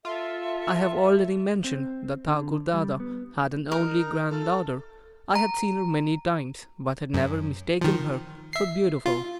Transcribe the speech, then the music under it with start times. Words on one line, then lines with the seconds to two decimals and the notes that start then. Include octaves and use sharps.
I have already mentioned that Thakur Dada had an only grand-daughter. I had seen her many times, but had never mistaken her for beautiful.
0.05 F4 A4 E5
1.64 C4
2.28 D3
2.74 G3
3.00 B3
3.72 D#4 A#4
3.99 A#5
4.30 A3 F4 A4
5.35 A#5
7.14 F#2
7.81 D#3 F3
8.53 E5 C7
9.06 F4